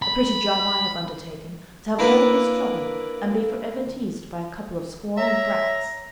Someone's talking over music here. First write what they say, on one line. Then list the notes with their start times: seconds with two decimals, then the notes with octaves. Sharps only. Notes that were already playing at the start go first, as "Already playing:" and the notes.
A pretty job I have undertaken, to have all this trouble and be for ever teased by a couple of squalling brats!
0.02 B5
1.99 A#3 D4 E4 B4
5.17 C#5 E5 A#5